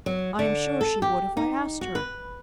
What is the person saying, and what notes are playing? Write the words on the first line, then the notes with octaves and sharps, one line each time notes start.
"I am sure she would if I asked her."
F#3
D3
A4
G4
D#4
F#4
B4